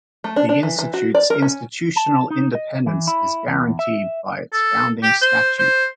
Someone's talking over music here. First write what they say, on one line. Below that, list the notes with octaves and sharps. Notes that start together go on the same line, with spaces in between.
The Institute's institutional independence is guaranteed by its founding statute.
A3
D4
D4
E3
E3
F#4
D5
A#4
C#4
A5
D#4
D#5
E3
E4
E2
E5
A4
G4
C5
C5